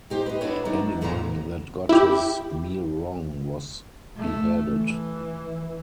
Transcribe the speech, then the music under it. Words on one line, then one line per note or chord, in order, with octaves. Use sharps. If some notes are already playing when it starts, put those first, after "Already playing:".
Anyone that got his meal wrong was beheaded.
D#4 G4 C5
B4 D#5
D4 E4 F#4 B4 C#5
D#3 F#3 D4
E2 A2 C#3 E3 F3 A#5
E4 G4
A3
E3